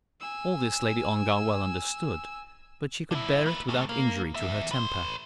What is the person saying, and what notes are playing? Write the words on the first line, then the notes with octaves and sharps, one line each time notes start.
All this Lady Ongar well understood, but she could bear it without injury to her temper.
G#5 E6
D3 E4
A#3 B4
A#2 A3
A#3
E2 E5
B4 C6